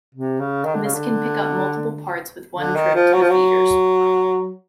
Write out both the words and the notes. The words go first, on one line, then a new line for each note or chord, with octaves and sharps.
This can pick up multiple parts with one trip to the feeders.
C3
C#3
D#3
D3
C#3
D3
D3
D#3
F3
F#3
F3
F#3